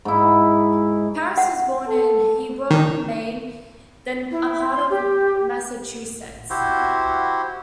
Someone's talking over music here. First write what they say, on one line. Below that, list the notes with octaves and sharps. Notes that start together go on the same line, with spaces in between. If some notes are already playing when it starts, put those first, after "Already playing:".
Parris was born in Hebron, Maine, then a part of Massachusetts.
G#2 E4
F#5
A4
D#3
E4
C6
G4
E4 F#4 G4 C5